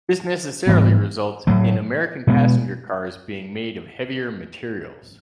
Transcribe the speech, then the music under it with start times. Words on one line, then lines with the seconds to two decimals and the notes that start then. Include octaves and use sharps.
This necessarily results in American passenger cars being made of heavier materials.
0.67 G#2 E3 G3 B3
1.47 A2 F#3 A3
2.27 B2 G#3 B3